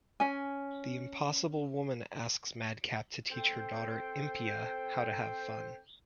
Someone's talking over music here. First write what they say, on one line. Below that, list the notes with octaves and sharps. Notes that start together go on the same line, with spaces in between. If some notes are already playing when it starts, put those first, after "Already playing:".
The Impossible Woman asks Madcap to teach her daughter Impia how to have fun.
C#4 G#5
C4 A4 C5 G5